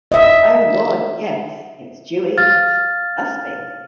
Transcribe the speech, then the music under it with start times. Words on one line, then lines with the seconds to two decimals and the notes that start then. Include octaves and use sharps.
Oh, Lord, yes, it's due east — must be!
0.12 D#5 E5
2.37 F5 F6 A6